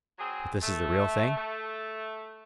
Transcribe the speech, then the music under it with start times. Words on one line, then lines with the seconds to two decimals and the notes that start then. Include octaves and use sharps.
"But this is the real thing?"
0.19 F#3 C4 G#4
0.62 A3
1.37 A3